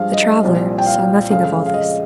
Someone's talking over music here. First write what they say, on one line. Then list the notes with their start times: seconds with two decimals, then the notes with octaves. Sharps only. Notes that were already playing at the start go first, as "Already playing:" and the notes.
The traveller saw nothing of all this.
Already playing: G2 F3 G#3 F5
0.13 D#5
0.43 C2 A#2 F3
0.78 G5
0.86 F5
1.31 F2 C#3 G#3 F5
1.66 F5
1.74 D#5